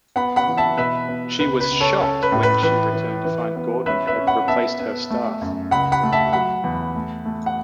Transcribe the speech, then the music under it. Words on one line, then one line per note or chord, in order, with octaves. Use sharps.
She was shocked when she returned to find Gordon had replaced her staff.
B3 F#5 B5
F#5 B5
E3
E5 A5
B2 B4 E5
B3
C#2 B4
B4
C#2
A4 C#5
C#4 A4
B4
A2
B4
E3 B4
E3
E3
B3
C#4 B4 E5
B4 E5
C#4
F#5 B5
B3 E5 A5
B3
A3
F#2
C#2 F#5 B5
F#5 B5
A3
E5 A5
F#3 F#5 B5
E2
A3
A3
F#5